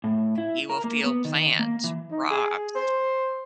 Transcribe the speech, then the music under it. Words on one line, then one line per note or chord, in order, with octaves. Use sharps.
you will feel plants, rocks,
A2
E4
A#4
A#3
B3
D#3
A#3
E3
D#4
G#4
C5